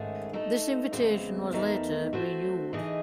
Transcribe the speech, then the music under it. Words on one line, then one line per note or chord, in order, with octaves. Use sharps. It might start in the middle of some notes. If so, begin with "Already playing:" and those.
This invitation was later renewed.
Already playing: G#2 D#3 A3 C#4 G#4
A3 D#4 A4
E2 C#3 G#3 C4
E2 D#3 A3 D#4
A3 C4 F#4 C5
E3 A3 D#4 G#4 D#5